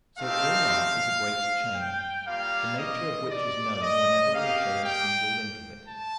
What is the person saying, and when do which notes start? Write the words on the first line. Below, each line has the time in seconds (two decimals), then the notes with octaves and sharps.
So all life is a great chain, the nature of which is known whenever we are shown a single link of it.
0.19 A3 C4 D#4 G4 F5
1.74 G5
2.26 G3 A#3 F4 F5
2.78 D#5
3.30 D5
3.82 D#5
4.33 A#3 D#4 G4 F5
4.85 G5
5.88 A5